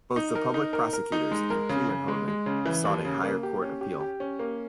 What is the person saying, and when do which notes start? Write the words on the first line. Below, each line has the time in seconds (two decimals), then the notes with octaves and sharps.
Both the public prosecutors and Kouwenhoven have sought a higher court appeal.
0.16 D#4
0.35 A#4
0.54 D#4
0.73 A#4
0.93 A#4
1.12 D#4
1.32 G#3
1.50 A#4
1.69 C#3
1.89 C#3
2.08 G#3
2.28 G#3
2.46 C#3
2.65 E3
2.85 D#2
3.05 C#3
3.24 A#3
3.43 G4
3.62 C#4
3.81 G4
4.01 G4
4.20 C#4
4.39 A#3